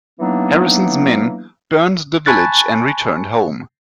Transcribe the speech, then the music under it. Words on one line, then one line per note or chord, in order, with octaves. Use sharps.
Harrison's men burned the village and returned home.
E3 F#3 A#3 B3 D4 D#4
G#5 A5 B5 C#6 F#6 A6